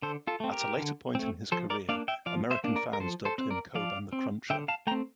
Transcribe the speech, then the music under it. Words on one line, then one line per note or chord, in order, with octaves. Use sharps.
At a later point in his career, American fans dubbed him Coban The Cruncher.
D3 A4 C5
F4 A4
A3 C4
G4 A#4
D3
A3 C4
F3 A4 C5
A#4 D5
A#3 D4 D5 F5
E5 G5
F3 D5 F5
C5 E5
A#3 D4
A#4 D5
A#4
F3 A4 C5
A4 C5
C4
A#4 D5
F3 D5 F5
C4
D3 E5 G5
F5 A5
A3 C4 G5 A#5